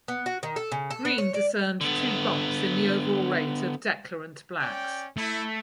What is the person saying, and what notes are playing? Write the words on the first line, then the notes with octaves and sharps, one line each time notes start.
Green discerned two bumps in the overall rate of declarant blacks.
B3
F#4
D#3
A4
C#3
A4
B3
C#5
D5
D3 B3
C#4 D5 G5
A3 E4